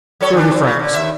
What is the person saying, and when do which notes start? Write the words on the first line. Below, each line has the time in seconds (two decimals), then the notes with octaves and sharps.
"Thirty francs."
0.21 F#3 A4 C#5
0.33 D#3 D4
0.51 F2 C4
0.63 C#3
0.79 D3
0.94 D#2 E5